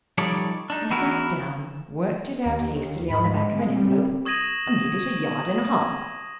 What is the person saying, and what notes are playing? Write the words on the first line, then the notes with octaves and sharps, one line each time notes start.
I sat down, worked it out hastily on the back of an envelope, and made it a yard and a half.
F3 G3 D#4 A4 C#5 D5
D4 D#4
E2 E3 E4 F#4 A#4
D#2
G#2 B5
G#3
G#3 C4
G3
C#6 D#6 G#6 A#6 D#7 F#7